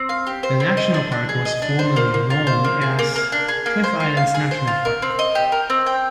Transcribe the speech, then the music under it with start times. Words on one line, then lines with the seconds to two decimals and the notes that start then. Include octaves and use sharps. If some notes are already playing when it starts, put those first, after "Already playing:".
The national park was formerly known as Cliff Islands National Park.
Already playing: C4
0.09 F5
0.27 G4
0.43 C5
0.60 C4
0.77 D#5
0.94 D4
1.12 D4
1.29 G#4
1.45 D#5
1.62 D4
1.79 C5
1.96 A#3
2.14 A#3
2.30 F4
2.47 C5
2.64 A#3
2.81 G#4
2.99 A#3
3.16 A#3
3.32 D4
3.48 G#4
3.66 A#3
3.84 C5
4.00 F4
4.17 F5
4.34 G#4
4.51 C5
4.67 F4
4.85 A#4
5.02 C4
5.19 D#5
5.35 G4
5.52 A#4
5.70 C4
5.86 G5